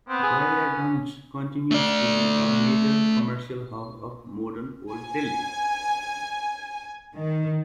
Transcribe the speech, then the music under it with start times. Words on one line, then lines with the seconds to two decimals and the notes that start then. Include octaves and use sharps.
Daryaganj continues to be a major commercial hub of modern Old Delhi.
0.09 B3 C4
0.23 G#4
0.40 C#4
1.71 A3 D5
4.93 G#5
7.16 D#3